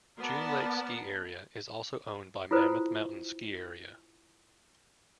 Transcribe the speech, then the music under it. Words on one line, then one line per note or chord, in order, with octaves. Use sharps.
June Lake's ski area is also owned by Mammoth Mountain Ski Area.
B3 A#4 D5 A5
E4 F4 A4 B4 C5